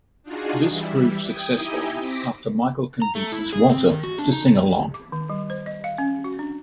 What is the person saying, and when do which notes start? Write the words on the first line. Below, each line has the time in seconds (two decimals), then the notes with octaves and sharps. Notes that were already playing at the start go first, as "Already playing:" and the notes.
This proves successful after Micheal convinces Walter to sing along.
0.23 D4 D#4 F4 F#4 G#4
0.66 E3 G3 E4
1.26 G5 D#6 G#6
1.55 D#4 E4 G4 D#5 E5 G#5
1.98 C4 D6 A#6 B6
3.02 A#5
3.15 A3
3.32 E4
3.53 G#4
3.69 C4
3.90 D#3
4.03 F#4
4.19 D4
4.32 D#4
4.94 D6
5.12 D#3
5.30 G3
5.50 C5
5.66 D#5
5.84 F5
5.98 C#4
6.24 F#4
6.39 D4